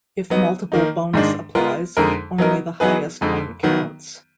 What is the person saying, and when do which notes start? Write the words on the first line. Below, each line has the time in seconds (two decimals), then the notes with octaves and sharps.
If multiple bonus applies, only the highest one counts.
0.30 F#3 B3 D#4
0.72 D#3 A#3 D#4
1.13 G#2 D#3 G#3 D4
1.55 G#3 B3 F4 A#4
1.97 F2 D3 G#3 D#4 A#4
2.38 F#3 B3 D#4 A#4
2.80 F#3 B3 D#4 G#4 B4
3.21 F2 D3 G#3 D#4
3.63 D#3 F#3 B3